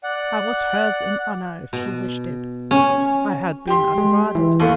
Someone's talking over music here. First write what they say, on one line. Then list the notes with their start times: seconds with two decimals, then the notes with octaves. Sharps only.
I was hers in honour if she wished it. I had been unguarded.
0.03 D5 F#5
1.73 B2
2.71 C#4
3.67 G4 C6
3.98 G#3
4.35 E3
4.60 D#2 A3